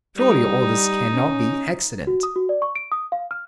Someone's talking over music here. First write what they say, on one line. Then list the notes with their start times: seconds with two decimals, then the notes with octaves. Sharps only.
Surely all this cannot be accident!
0.17 G3 D#4
1.14 C#4
2.07 F#4
2.23 D#6
2.36 F#4
2.49 D5
2.62 C#6
2.75 D7
2.92 D#6
3.12 F5
3.31 F6